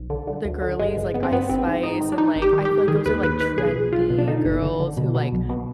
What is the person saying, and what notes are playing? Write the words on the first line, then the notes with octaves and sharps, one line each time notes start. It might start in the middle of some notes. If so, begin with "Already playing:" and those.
the girlies like Ice Spice and, like, I feel like those are, like, trendy girls who, like,
Already playing: B1
D3
D3
D2
D3
G1 G#3
G1
G1 B3
C4
G2 B3
G#1 C4
G#2
G#2 D#4
D#3
D4
D#3 D#4
G#1
G4
D#3
G4
G#2
D#3 G#4
D#2 B4
D#2 B4
D#3 B4
B1 G#4
B1
B1 F4
B2
D4
D3 D#4
G1
D3
D3
B2
B2
B1
B2